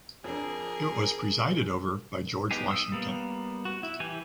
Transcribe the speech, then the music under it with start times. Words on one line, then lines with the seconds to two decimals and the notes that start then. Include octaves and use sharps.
It was presided over by George Washington.
0.24 F2 D4 G#4 A#4
2.51 B3 D#4 G4 G#4
2.68 D#6 E6
2.92 G3 A#3 B3
3.65 F#4
3.83 E4
4.00 E3 G4 G#5